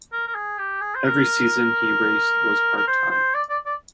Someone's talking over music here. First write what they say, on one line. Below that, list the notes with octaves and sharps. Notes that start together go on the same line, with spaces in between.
Every season he raced was part-time.
A#4
A#4
G#4
G4
G#4
C5
A#4
A#4
C5
C5
D5
D5
D5